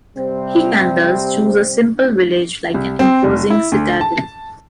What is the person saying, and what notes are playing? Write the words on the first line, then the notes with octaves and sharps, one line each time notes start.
He can thus choose a simple village like an imposing citadel.
C3 G3 C4
C2
C4
F1
E4
D2
A5